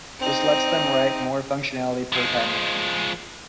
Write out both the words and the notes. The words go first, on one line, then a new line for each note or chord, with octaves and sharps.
This lets them write more functionality per time unit.
C4 D#4
F3 G#3